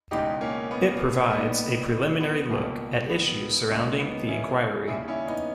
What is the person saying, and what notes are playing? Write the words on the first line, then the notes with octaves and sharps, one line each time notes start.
It provides a preliminary look at issues surrounding the inquiry.
E1 E2 C#3 G#3 D#4 G4
A#3 C#4
B3
A#3
A#1 A#2 G3 B3 D#4
B3
C#2 B2 G3 A#3
B3
C#2 C#3 G#3 A#3 C#4
B3 D#4
C#4 E4
D#2 C#3 G3 E4 G#4
C#4 E4
B3 D#4